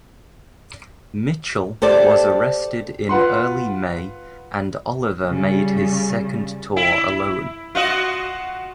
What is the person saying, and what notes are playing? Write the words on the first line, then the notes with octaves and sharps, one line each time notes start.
Mitchell was arrested in early May and Oliver made his second tour alone.
G4 A4 C5 D5
F4 B4 F#5 C6
C#3 G3
E4
F4 F#4 D#5